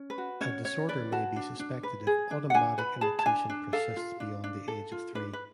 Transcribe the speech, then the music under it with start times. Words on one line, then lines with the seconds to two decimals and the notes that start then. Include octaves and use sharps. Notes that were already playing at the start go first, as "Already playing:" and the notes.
A disorder may be suspected if automatic imitation persists beyond the age of three.
Already playing: C#4
0.10 B4
0.18 F#4
0.41 C#4 C#5
0.65 C#4 C#5
0.89 B4 D5
1.12 F#4 A5
1.36 D4
1.60 D4
1.83 B4
2.07 G#4
2.31 D4
2.50 F#5
2.54 D4 G#5
2.78 B4 B5
3.01 G#4 A5
3.19 A5
3.26 D4 G#5
3.50 D4
3.73 A4 F5
3.97 F4
4.20 D4
4.44 D4
4.68 A4
4.92 F4
5.15 D4 B4
5.33 B4